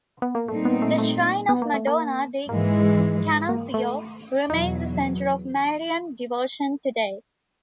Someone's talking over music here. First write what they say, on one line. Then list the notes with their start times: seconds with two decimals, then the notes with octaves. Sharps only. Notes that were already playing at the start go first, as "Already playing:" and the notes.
The shrine of Madonna di Canoscio remains a center of Marian devotion today.
0.22 B3
0.35 A#3
0.48 A#2 G3 A3 C4 D#4
0.65 B3
0.82 A3
0.98 A3
1.49 B3
1.62 A#3
1.74 A3
1.87 A#3
2.49 G#2 E3 G#3 A#3
3.49 A#3
3.74 A3
4.49 E2 B2 F#3 D#4